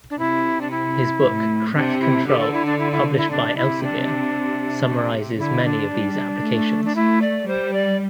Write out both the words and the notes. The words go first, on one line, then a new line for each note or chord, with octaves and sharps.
His book "Crack Control" published by Elsevier summarizes many of these applications.
D4
C3 E4
D4
E4
A2
C3 D4
E4
D3 G4
A4
E4
D4
E4
E4
E4
C3 D4
E4
D4
C3
D3 E4
D4
G3
A3
D4
A3 E4
D5
G3 C5
D5